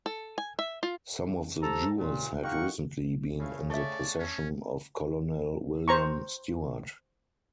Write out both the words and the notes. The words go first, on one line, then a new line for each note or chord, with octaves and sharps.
Some of the jewels had recently been in the possession of Colonel William Stewart.
A4
G#5
E5
F4
C3 A4 A#5
D#2 A#2
D#4 F4 G4 A#4 F#5 C#6
C#3 A3 E4 F5
A3 C#5 D5 E5 A5 C#6
C#4
C5 A#5 C#6